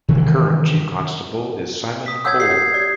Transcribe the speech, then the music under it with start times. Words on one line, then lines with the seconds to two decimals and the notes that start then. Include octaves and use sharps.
The current Chief Constable is Simon Cole.
0.08 C3 D#3 E3
2.06 D#6 B6
2.25 C#5 F#5 E6 G6 G#6
2.40 G4 C7
2.74 D5